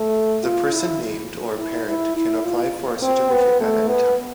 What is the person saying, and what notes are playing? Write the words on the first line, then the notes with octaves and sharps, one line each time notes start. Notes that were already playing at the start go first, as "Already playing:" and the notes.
The person named or a parent can apply for a certificate at any time.
Already playing: A3
F4
E4
E4
E4
E4
F4
C4
B3
A3
B3